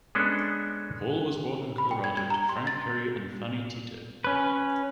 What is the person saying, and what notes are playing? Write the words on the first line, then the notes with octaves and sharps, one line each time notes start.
Paul was born in Colorado to Frank Perry and Fanny Teeter.
G#3 B3 C#4 D4 A4
B5
G5
G#6
G#6
A#5
C6
A6
C#4 B4